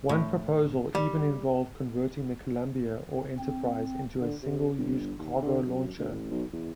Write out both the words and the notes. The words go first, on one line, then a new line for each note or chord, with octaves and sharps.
One proposal even involved converting the "Columbia" or "Enterprise" into a single-use cargo launcher.
A2
G3
C4
D3
C3
G1
D#2
D3
F#2
D2
A1
B1
E2